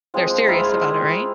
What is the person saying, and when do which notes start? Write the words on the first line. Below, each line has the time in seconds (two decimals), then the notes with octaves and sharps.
They're serious about it, right?
0.14 F3 G#3 C4
0.47 G#3 E4 F4 G#4 A#5